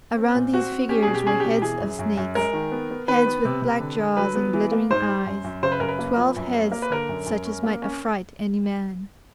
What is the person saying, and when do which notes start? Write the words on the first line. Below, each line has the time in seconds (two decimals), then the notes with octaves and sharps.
Around these figures were heads of snakes, heads with black jaws and glittering eyes, twelve heads such as might affright any man.
0.17 C4
0.35 A#2
0.53 C4 F#4
0.72 C4
0.89 C#4 G4
1.03 B2 G#4
1.15 G4
1.25 C#4 G#4
1.40 B2 G4
1.62 E3 G#4
1.80 F#2
1.99 F#2
2.17 F#2
2.35 G#3 A#4
2.53 D#3
2.71 B3
2.90 B3
3.08 D#3 B4
3.26 B3
3.45 C3
3.62 C3
3.80 D3
4.00 D3
4.17 F#3 B4
4.36 B3
4.54 E3
4.72 A#3
4.90 G#2 C5
5.08 G3
5.26 F#2
5.44 F#2
5.63 C#3 C5
5.72 B4
5.80 F#2 A#4
5.88 B4
5.99 A#3
6.17 F3
6.36 F#2
6.54 A#3
6.72 A#3 A#4
6.82 B4
6.90 D3 A#4
7.09 F#2
7.26 F#2
7.45 C#4
7.63 A#3
7.82 C#4